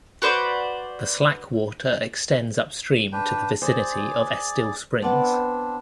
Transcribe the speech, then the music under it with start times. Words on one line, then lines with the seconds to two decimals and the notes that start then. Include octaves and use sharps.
The slack water extends upstream to the vicinity of Estill Springs.
0.22 F#4 B4 C5 D5
3.13 D4 B4 G5
3.62 G#4 C5 D5
5.02 B3 C4 D4 D5